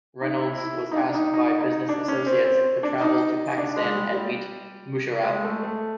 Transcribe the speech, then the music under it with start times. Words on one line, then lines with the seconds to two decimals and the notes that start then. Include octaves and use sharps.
Reynolds was asked by business associates to travel to Pakistan and meet Musharraf.
0.21 D#4
0.39 E4
0.58 E4
0.92 D#4
0.96 D4
1.08 D4
1.15 D#4
1.34 D#4
1.61 D#4
1.88 D4
2.08 C#4
2.26 C4
2.45 C4
2.83 D4
3.01 D#4
3.58 D4
3.76 G#3
3.95 G3
4.13 G3
5.25 G#3
5.44 A3
5.63 A3